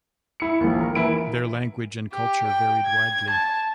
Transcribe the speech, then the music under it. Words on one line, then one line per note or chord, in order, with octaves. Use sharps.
Their language and culture varied widely.
E4 C#7
A#1 D#2
A#4
E3 E4 D7
G4
G5
G#6
A5